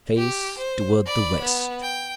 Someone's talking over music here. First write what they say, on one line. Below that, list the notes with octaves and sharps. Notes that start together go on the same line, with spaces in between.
Face toward the West!
G4
C5
D5 B5
B3
G5